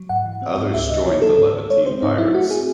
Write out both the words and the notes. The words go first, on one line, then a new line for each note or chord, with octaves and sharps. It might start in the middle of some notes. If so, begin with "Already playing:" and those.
Others joined the Levantine pirates.
Already playing: F#3
G#2 F#5
E3
C4
G#2
C#2 E5
C3 D#5
D#3 C#5
F#3 A4
G#2
D#3
G#3 C#5
C4 C5
G#2 D#4
F#3 E4
A3 F#4
C4 G#4